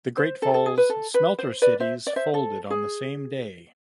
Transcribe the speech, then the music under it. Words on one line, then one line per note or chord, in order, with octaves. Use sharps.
The Great Falls Smelter Cities folded on the same day.
C5
A4
A4
G#4
B4
A4
B4
C5
B4 D5
C5 E5
D5
C5 E5
A4
G#4